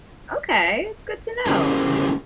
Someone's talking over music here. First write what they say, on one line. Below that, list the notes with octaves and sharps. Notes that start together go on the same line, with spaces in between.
Okay. It's good to know.
C#4 E4 G4 G#4 A#4 C5